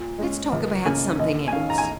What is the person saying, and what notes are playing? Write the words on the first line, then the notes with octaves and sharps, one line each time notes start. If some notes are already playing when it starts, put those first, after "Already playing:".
Let's talk about something else.'
Already playing: A#2
G#3 C#4
C#2
C#3 A#3 C#4 G#5
D#2 D#5
G#5
D#3 C#4 F5
A#5
G#5